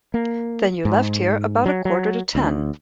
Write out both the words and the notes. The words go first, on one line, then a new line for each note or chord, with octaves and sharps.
Then you left here about a quarter to ten.
A#3
G#2
F#3
F#3
D2